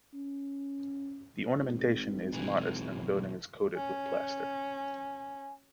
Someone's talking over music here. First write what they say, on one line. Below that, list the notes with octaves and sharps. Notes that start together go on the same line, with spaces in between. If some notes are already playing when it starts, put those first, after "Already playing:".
The ornamentation is modest and the building is coated with plaster.
C#4
G#1
B1 E3
C#4 G#5